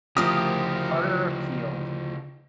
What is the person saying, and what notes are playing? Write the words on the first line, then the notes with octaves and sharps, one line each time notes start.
Carter appealed.
D2 C#3 F3 E4 F4 G4 A#4 D#6